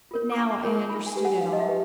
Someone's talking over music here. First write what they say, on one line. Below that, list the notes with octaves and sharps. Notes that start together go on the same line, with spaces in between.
But now I understood it all.
F4 A#4 C#5
D6
D4 C#6
F4 A#4 C#5
D#4 B5
G#5
G4 B4
F#5
D#4 F5
D#5
E5
G4 B4